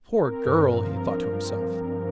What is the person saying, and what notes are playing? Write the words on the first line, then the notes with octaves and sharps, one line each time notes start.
'Poor girl,' he thought to himself.
C4 A#4
G2
F3
F3 A#4
F3
F3